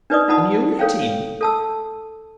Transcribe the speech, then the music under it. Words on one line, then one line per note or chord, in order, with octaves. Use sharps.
"And you let him?"
D4 D#4 B4 D5 D#5 D#6
D#4 F4 F#5 A5 B5 D#6
A4 C#5 F5 G5
A4 A5 E6